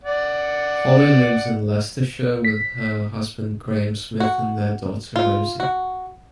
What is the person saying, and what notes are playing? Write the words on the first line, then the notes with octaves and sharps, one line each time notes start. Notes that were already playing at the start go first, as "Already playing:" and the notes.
Holly lives in Leicestershire with her husband Graham Smith and their daughter Rosie.
D5 F#5
B6
F#4
F4
F#4